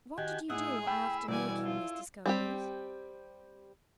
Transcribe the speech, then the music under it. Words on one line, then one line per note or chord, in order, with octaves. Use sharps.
"What did you do, after making these discoveries?"
D#3 F#4 G4 G#5
A2 D#4 E4 G#4 F#5
G5 B5 E6
B2 E3 G3 E4 F#4 D5 G#5
F4 A4
G3 C4 G4